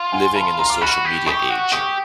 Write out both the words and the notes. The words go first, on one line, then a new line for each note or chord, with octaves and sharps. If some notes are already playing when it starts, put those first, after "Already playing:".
living in the social media age,
Already playing: F4
F#5 G#5
C6
A5 B5
A#5 C6
D6
F#4 B5 C#6
G4
G4 C#6 D#6
F#4
G4 C#6 D#6